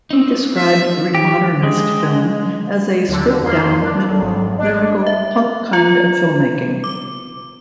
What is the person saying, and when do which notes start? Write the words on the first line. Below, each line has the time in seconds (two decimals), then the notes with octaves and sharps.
He described Remodernist film as a "stripped down, minimal, lyrical, punk kind of filmmaking".
0.11 C4 D#4
0.56 E5
1.15 G4
1.63 G#3
3.08 D#2 D3
3.42 F2 A#3 C6
3.81 D4 A#4
4.09 A4
4.21 G#1
4.58 D4 D#5
5.07 E5
5.73 F4
6.84 D6